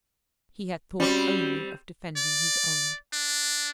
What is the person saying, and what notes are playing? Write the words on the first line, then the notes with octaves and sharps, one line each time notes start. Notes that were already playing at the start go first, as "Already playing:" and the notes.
He had thought only of defending his own.
G3 C4 C#4 F#4
D5
D4